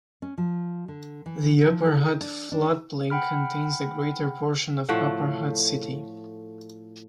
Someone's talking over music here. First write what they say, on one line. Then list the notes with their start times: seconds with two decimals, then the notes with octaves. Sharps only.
The Upper Hutt floodplain contains the greater portion of Upper Hutt city.
0.22 C#4
0.38 F3
0.88 D3
1.26 E3
1.66 F3
1.86 A4
2.21 D4
2.52 D4
3.10 F#5 G5 B5 F6
4.89 A2 F3 A3 F#5